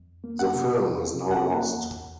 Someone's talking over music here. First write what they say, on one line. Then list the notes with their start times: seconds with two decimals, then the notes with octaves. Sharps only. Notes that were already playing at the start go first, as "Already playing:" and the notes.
The film is now lost.
Already playing: F2
0.24 A#3
0.39 F#5
0.55 C3
0.85 F3
1.15 C3
1.31 F#5
1.46 A#3
1.77 E2